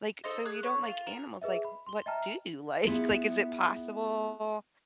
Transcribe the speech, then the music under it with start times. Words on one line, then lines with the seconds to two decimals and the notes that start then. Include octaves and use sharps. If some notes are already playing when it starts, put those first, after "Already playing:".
like, so you don't like animals, like, what do you like? Like, is it possible
0.24 D#4 A4 C5 D#5
0.45 G#4 F#6
0.63 A3 C#5
0.86 F4
1.07 A#4
1.42 G#4 B4 D#5 E5
1.65 B5
1.86 C6 G7
2.06 D#5 E5 G5 A5 A#5 F6
2.85 B3 E4 F4 G#4